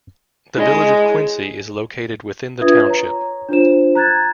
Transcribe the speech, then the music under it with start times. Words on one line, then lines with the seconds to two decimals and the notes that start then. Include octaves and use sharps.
The village of Quincy is located within the township.
0.57 G#3 E4 C#5 D#5
2.61 D4 F4 B4 E5 D#6 G#6
2.86 C#5 A#5
3.49 D4 F4 C5 E7
3.95 A#5 F#6 G#6 A6